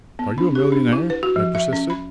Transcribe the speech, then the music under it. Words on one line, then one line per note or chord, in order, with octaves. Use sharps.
"Are you a millionaire?" I persisted.
B3
D4
G4
D4
E4
B4
F#4
F3
E5
C#4
B5